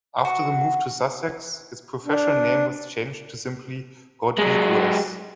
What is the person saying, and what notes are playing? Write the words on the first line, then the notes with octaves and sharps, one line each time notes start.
After the move to Sussex, his professional name was changed to simply Rodriguez.
F#4
D4
F#3 G#3